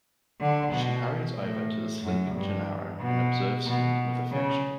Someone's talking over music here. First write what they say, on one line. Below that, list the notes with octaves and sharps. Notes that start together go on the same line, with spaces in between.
She hurries over to the sleeping Gennaro and observes him with affection.
D3
B2
A2
F#2
G2
B2
B2
C#3